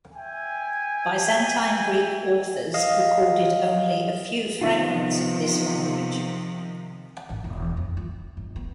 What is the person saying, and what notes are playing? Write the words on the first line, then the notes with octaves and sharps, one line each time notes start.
Byzantine Greek authors recorded only a few fragments of this language.
E5 G5 G#5
D#5 F5
C3 D#3 F3 B3 D#4 F4
G#1
E1
F2
F4
G1
B3